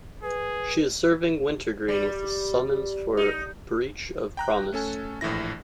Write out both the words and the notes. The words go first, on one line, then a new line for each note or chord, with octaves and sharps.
She is serving Wintergreen with a summons for breach of promise.
G#4 B4
G3
D#4
G5 A#5 F#6
A3 C#4 A4 G#5
A#1 A2 E3 E4 A#6